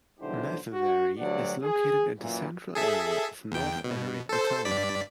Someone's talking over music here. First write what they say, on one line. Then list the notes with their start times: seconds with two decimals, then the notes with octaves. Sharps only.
Mathiveri is located at the central area of North ari atoll.
0.20 B1 G#2 D3 E4 G4 C5
0.74 F#4
1.19 D2 G2 F#3 G4 D5 F#5
1.64 G#4
2.19 F#2 A#2 E3
2.75 G#4 A4 E5
3.52 E2 G5
3.84 B2
4.29 A4 C5
4.65 G2 D5 B6